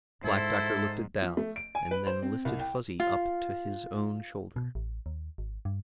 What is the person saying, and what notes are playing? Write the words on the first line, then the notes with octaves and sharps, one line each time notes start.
The Black Doctor looked at Dal, and then lifted Fuzzy up to his own shoulder.
G#2 E4 A4 C5
F3
A3
D7
G#5
B4
C5
C4
C2
G5
F4
B2
A1
D#2
G#1
G2